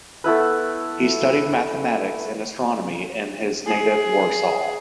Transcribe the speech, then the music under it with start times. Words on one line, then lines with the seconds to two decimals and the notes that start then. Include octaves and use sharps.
He studied mathematics and astronomy in his native Warsaw.
0.24 A3 B3 E4 B4
3.66 G#4